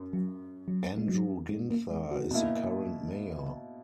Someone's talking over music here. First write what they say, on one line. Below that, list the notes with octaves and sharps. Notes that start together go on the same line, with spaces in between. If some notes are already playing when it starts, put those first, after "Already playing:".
Andrew Ginther is the current mayor.
Already playing: F#2
F#3
F#3
G#3
F#3
G#3
A#3
G#3
F#4
B2 A#3 E4